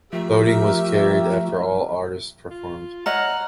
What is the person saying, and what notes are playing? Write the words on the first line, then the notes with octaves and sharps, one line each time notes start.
Voting was carried after all artists performed.
F3 A3 G4 A#4 E5
F4
C#5 D#5 E5 F#5 A#5 F6